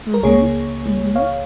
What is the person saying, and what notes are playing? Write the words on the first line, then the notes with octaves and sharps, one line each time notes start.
Mhm, mhm.
A#4
C#2 C#3 A#3 G#4 C#5
C#5 F5